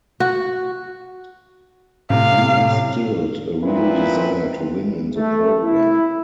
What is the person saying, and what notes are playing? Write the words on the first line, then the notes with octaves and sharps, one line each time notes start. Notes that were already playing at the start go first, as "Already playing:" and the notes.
He instilled a real desire to win in the program.
F#4
A2 C3 F5
A#2 F3 C4 E4 B4
A3
E4